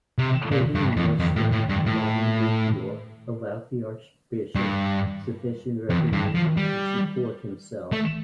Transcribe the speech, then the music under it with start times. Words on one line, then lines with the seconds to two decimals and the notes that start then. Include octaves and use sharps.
Holding Worcester along with York allowed the archbishop sufficient revenue to support himself.
0.18 C3
0.51 A#2
0.75 G2
0.97 F2
1.20 F2
1.36 A2
1.52 A2
1.69 G2
1.86 A2
4.55 G2
5.90 F2
6.13 G2
6.34 F3
6.57 G3
7.92 A3